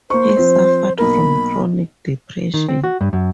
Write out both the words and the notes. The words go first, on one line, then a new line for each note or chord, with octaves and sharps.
He suffered from chronic depression.
A#3 C5 C#6
F3 C4
B1 A#3 A#4 B5
D#3
C4
F#4
G2
F#2